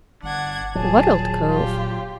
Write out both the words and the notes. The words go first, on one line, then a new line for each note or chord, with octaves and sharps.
"What old cove?"
G1 D4 F#5 G#6
D#1 A#2 F#3 G#4 A5
F4 G4